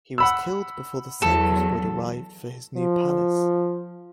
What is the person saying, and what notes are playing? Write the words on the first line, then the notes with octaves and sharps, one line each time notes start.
He was killed before the cypress wood arrived for his new palace.
F#5 B5 E6
E2 F#3 A4
F3